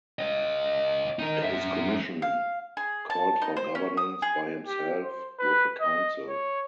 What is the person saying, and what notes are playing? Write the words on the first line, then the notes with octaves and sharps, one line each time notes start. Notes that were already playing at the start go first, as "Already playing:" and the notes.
His commission called for governance by himself, with a council.
C#5 D#5
D#4 A#4
F#2 E5
F5
G#4
A5
D#4
C5
C#4
D#6
G#4
G4
C5
B4
D#5
C#5